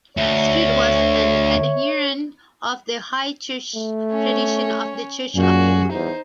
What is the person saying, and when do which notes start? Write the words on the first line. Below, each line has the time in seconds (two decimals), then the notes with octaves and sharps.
Street was an adherent of the high church tradition of the Church of England.
0.17 D2 C#5 E5
3.75 A3
4.12 C#4 C#5
5.35 F#2 A#2 F#4 G#4
5.93 E2 D#4 C5